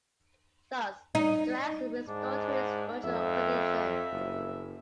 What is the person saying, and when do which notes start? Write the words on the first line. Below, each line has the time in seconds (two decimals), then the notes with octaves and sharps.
Thus, Drax is restored to his original condition.
1.15 D#4
2.08 G#2 D4
3.04 F2 E5
4.12 F#1